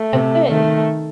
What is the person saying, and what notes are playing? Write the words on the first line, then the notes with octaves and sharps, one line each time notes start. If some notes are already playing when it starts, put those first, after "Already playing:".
Oh, good.
Already playing: A3
C3
D#3 A3